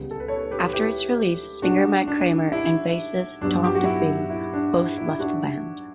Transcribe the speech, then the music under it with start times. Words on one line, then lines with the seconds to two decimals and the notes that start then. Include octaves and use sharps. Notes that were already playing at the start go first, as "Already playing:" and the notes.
After its release, singer Matt Kramer and bassist Tom Defile both left the band.
Already playing: C#2 C#3 G3 B3
0.11 A4
0.20 B4
0.28 A4 C#5
0.51 G4 B4
0.73 E4 G4
1.62 D4 F#4
2.07 D4
2.52 E4
3.41 G2 F#3 B3 D4
3.64 G4
3.75 F#4
3.85 E4
4.30 E4
4.53 D4
4.75 E4
4.97 E4
5.19 D4 F#4